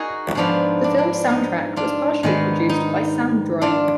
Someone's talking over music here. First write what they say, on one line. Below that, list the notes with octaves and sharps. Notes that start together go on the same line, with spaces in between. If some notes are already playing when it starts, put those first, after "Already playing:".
The film's soundtrack was partially produced by SoundDroid.
Already playing: D#4 F#4 G#4 A#4
G#2 F3 B3 D4 F4
D4
D4
D#4
D4 F4
G#2 D#3 G#3 B3
D#4
D4 F4